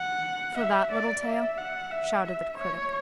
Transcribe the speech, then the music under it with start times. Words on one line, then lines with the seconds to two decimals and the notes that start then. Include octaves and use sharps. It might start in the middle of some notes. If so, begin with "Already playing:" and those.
"For that little tale," shouted the Critic.
Already playing: F#5
0.57 E5
0.91 D5
1.25 E5
1.58 F#5
1.91 E5
2.25 E5
2.58 C#5